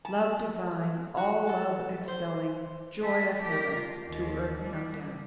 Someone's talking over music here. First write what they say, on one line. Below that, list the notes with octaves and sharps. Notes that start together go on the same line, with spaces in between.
"Love divine, all love excelling; Joy of heaven, to earth come down."
A5
F#4
A4
C5
A3
G4 A#4
F4
D#2
G3